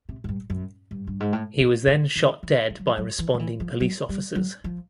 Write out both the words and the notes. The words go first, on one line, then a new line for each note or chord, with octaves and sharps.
He was then shot dead by responding police officers.
C3
F#2
G2
F#2
G2
G2
G#2
A2
B2
D3
D#3
E3
F3
F#3
F3
F#3
E3
F3
E3
F3
F#3
G3
F#3
F3